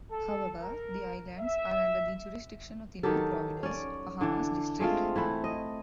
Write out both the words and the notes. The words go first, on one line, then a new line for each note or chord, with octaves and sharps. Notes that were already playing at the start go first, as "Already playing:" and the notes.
However, the islands are under the jurisdiction of the New Providence, Bahamas District.
A4
A#4
E5
D#3 F#3 G4 A4
C#4 D5
D3 E3 D4
G#3 A3 C4 F4
E3 A3 E4
D#5